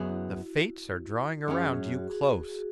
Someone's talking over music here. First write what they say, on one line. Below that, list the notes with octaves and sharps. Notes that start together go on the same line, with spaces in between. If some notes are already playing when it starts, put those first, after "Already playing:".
The fates are drawing around you close.
Already playing: F#2 F#3 B3 F#4 G#4
E4
F#2 F#3 C#4 G#4
F#4
F#4
G#4
F#4